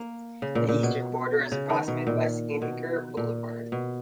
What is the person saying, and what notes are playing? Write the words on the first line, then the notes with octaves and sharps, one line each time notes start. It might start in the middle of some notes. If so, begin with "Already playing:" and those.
The eastern border is approximated by Skinker Boulevard.
Already playing: A#3
C#3
A#2
A#2
B2
C#3
D#3
B2
A#2
B2
A#2
B2